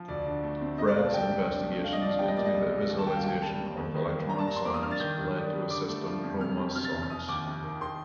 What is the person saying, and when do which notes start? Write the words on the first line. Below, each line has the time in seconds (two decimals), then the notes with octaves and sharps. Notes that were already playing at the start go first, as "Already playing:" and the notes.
Fred's investigations into the visualisation of electronic sounds led to his system Chromasonics.
Already playing: F3
0.08 D2 D5
0.26 D3
0.43 A3
0.61 C4
0.78 C3 D#5
0.87 D5
0.96 C2 F5
1.05 A5
1.14 C2 G5
1.31 C2
1.49 D4
1.66 A3
1.84 D4 F5
1.93 D#5
2.01 F3 D5
2.10 F5
2.19 G3 G5
2.28 D#5
2.36 A#3 D5
2.45 D#5
2.54 C2
2.72 C2
2.89 D#2
2.98 A5
3.07 D#2 G5
3.16 F5
3.24 D#2 G5
3.42 G3 A5
3.59 A#3
3.77 D#2
3.95 D#3
4.12 A#3
4.29 D4 A#5
4.39 A5
4.47 G2 A#5
4.56 C6
4.65 A#3 D6
4.74 D#6
4.83 D4 F6
4.91 A6
5.00 D#3 G6
5.18 G2
5.35 D4
5.53 G3
5.70 D3 D6
5.88 A3
6.06 F3
6.23 F2
6.40 C3 F6
6.58 F2
6.75 C3 F6
6.84 A6
6.93 F1
7.02 F6
7.10 F1 D#6
7.28 D#2 D6
7.46 F1
7.64 D#3
7.81 D#3 C6